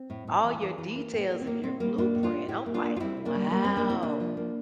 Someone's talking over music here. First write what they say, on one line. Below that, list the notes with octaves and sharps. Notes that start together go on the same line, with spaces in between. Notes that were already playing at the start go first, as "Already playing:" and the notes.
All your details of your blueprint. I'm like, "Wow."
Already playing: C4
A2
A2
E3
E3
E3
A#3
A2
A#3
C4
A2 A#3
A2 C4
G3 A#3
A2 A#3 D4
A2
D4 F4
A2
A2 E4 G4
A#3
D4 F4
A#3
F4
G3 C4 E4
C3
A#3 D4
G3
G3 A#3
A#3 C4
A#3 D4
C3 C4 E4
C3 A#3 D4
F3
A#3